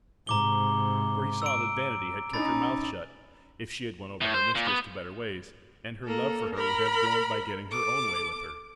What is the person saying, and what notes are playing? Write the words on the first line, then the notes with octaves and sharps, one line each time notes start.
For he saw that vanity had kept her mouth shut if she had won over her mistress to better ways, and her love for her would have grown by getting her own way with her.
G#2 C3 A#5 D6 G7
E6 D7
C#4 D#4 B5 A6
A2
C5
A#2
B3
A#3 A4
A#4 B5
A4 D6